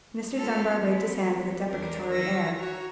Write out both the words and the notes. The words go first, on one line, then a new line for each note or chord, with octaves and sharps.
Mr. Dunbar waved his hand with a deprecatory air.
G#3 B3 C4 F4 A4 F6
F3 B3 C4
E2 D4 A#4
D#3 E6 A#6
F#4 C#5 A#5